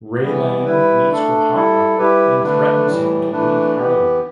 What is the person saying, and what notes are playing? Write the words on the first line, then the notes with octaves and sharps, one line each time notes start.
Raylan meets with Hot Rod and threatens him to leave Harlan.
E3 G3 B3
G3 E4 B4
A3 D4 A4
G3 E4 A4
G3 E4 G4 B4
D3 A3 D4 B4
A2 E3 G3
E3 A3 D4 B4
E3 B3 G4 B4